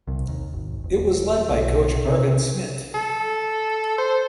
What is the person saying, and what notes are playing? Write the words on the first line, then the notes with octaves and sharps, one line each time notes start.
It was led by coach Arvid Smit.
C2
D#2
G#1
E1
B1
C3
A4
C5